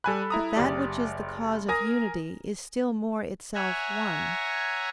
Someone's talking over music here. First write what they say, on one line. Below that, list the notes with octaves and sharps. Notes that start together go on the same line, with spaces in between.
But that which is the cause of unity is still more itself one.
G3 A4 G#5 B5 F#6
E4 A#5 D#6
F#1 G4 D5
A#4 G#5 A#5 D#6 A#6
C#5 E5 F#5 G#5 A#5